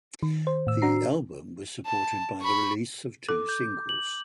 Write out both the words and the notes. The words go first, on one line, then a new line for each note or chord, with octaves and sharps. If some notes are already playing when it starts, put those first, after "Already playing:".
The album was supported by the release of two singles.
D#3
C5
A2 E6
D4 F#4 A#5 C7
A5
B5 C#6
A4 D6
G6
F#7